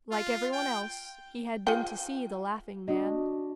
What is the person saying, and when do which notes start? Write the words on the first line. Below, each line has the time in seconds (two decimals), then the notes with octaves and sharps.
Like every one else, he had been to see the Laughing Man.
0.12 F4
0.53 G5
1.67 F4 G#4 G5
2.88 D4 F#4 D#5